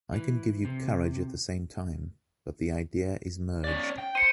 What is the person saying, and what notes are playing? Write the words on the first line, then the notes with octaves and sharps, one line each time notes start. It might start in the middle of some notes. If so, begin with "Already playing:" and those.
I can give you courage at the same time, but the idea is merged.
E3
C3
C#4 D5
G5
C5 C6 C#7 D#7